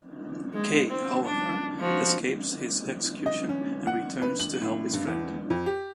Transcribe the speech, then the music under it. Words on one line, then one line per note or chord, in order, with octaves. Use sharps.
Kei, however, escapes his execution and returns to help his friend.
G#3
C4
D4
F3 F#4
D#5
C#4
F#5
B4
F#7
A2
G2
E2
F2
G4